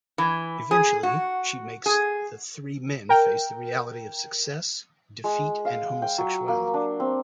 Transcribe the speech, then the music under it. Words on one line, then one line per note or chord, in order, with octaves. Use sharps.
Eventually, she makes the three men face the reality of success, defeat and homosexuality.
E3
G#4
F#4
G#4
A#4 G5
G#3
F5
G5
F#3
A#3
D4
C4